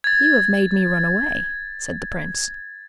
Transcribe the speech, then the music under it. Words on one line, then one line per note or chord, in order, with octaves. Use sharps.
'You have made me run away,' said the prince.
G#6 A6